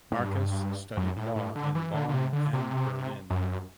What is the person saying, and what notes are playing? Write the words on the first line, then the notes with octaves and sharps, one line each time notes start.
Marcus studied law in Bonn and Berlin.
A2
G2
F#2
A2
A2
D3
E3
D3
D3
C3
D3
C3
F#2